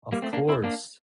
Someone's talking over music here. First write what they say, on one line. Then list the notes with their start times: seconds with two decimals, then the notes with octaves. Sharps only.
Of course.
0.12 G3 A#3
0.22 A3 C4
0.33 A#3 D4
0.49 C4 E4
0.64 A#3 D4